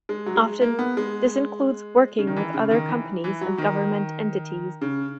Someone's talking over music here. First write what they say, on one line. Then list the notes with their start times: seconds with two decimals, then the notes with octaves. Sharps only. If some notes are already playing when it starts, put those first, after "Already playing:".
Often this includes working with other companies and government entities.
0.09 G#3
0.26 F#3
0.36 G#3
0.61 A#3
0.79 B3
0.97 G#3
2.19 C#3
2.27 D#3
2.36 E3
2.54 C#3
2.71 D#3
2.89 E3
3.24 E3
3.41 F#3
3.58 D#3
4.81 C#3